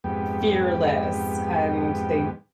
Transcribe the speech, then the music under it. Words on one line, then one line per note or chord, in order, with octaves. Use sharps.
fearless, and they
F2 G#2 B3 G4